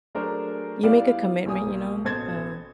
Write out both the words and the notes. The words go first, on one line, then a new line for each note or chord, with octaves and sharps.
you make a commitment, you know, uh,
F#3 A3 D4 G#4 A#4 C5
G3 B3 E4 F4 D5 F5
B1 G3 A#3 G#5 D#6
A1 B2 A4 C5 G#6 A6